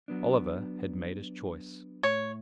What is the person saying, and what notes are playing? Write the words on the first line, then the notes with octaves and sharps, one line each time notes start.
Oliver had made his choice.
F#3 B3 D4
A2 C#5